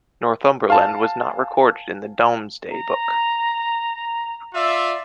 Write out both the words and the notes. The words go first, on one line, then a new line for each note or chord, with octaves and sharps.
Northumberland was not recorded in the Domesday Book.
F5 G#5 A5
A#5
F4 D5 E5